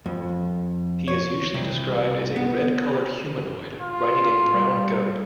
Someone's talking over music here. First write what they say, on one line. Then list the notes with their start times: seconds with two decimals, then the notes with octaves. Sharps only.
He is usually described as a red coloured humanoid, riding a brown goat.
0.06 F2
1.08 C#5
1.54 C2
2.36 B3
3.82 F4
4.49 G3